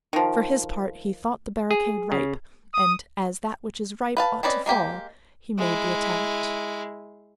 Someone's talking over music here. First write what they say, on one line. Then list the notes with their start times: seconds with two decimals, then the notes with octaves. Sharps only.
For his part, he thought the barricade ripe, and as that which is ripe ought to fall, he made the attempt.
0.13 D#3 F3
1.71 G#4
2.12 C#3
2.74 D#6
4.17 B4 F5 A5
4.43 C4 C#4 B4 D5 D#5
4.66 G#3 A#3 G4 G5
5.58 G#3 E4